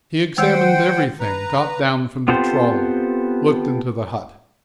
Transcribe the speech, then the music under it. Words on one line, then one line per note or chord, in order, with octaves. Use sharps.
He examined everything, got down from the trolley, looked into the hut.
D#3 G#3 C5 F#5 G5
B4 A#5
B3 C4 F4 G4 A4 C5